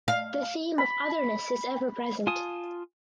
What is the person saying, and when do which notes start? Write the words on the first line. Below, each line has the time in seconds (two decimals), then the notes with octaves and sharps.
The theme of "otherness" is ever present.
0.08 F5
0.78 B5
2.27 F4 G#5 A5 D#6